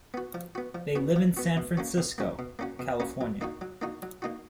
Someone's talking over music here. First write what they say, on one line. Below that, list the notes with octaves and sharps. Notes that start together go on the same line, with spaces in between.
They live in San Francisco, California.
B3 F#4
F3
B3 F#4
F3
B3 F#4
F3
B3 F#4
B2
A#3 C#4 F#4
B2
A#3 C#4 F#4
B2
A#3 C#4 F#4
B2
A#3 C#4 F#4
F#3
A#3 D#4 F#4
F#3
A#3 D#4 F#4
F#3
A#3 D#4 F#4